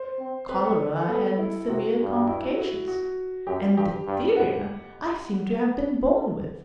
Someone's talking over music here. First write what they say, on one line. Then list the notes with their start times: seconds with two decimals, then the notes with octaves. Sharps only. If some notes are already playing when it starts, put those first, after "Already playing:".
Cholera I had, with severe complications; and diphtheria I seemed to have been born with.
Already playing: C5
0.20 C4
0.49 C4 B4
0.64 A4
1.09 B3 A4
1.38 E4
1.68 C3 F#4
1.98 G2
2.28 E4
2.43 F#4
2.58 F#4
2.88 F#4
3.47 F#2 G4
3.76 G2 G4
4.07 G2
4.37 A2 F#5